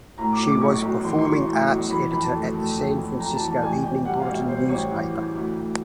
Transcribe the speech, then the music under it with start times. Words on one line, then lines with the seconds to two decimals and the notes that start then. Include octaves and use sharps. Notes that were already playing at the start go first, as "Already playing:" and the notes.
She was performing arts editor at the "San Francisco Evening Bulletin" newspaper.
0.18 A2 A#5
0.33 D6
0.39 A2
0.47 D6
0.60 B1 C#6
0.82 B1
1.04 E3 C6
1.19 C6
1.25 E3 C#6
1.47 A2
1.68 B1
1.90 E3 B5
2.11 F2 B5
2.22 A5
2.33 A3
2.55 A3
2.76 F2
2.97 F2
3.19 F2 A#5
3.34 A5
3.40 E3
3.48 A5
3.62 A1 G#5
3.83 A1 G5
4.05 G3 F#5
4.20 F5
4.27 A1
4.34 E5
4.48 G3 C5
4.69 A1 C#5
4.91 E3
5.13 E3
5.35 D2
5.56 D2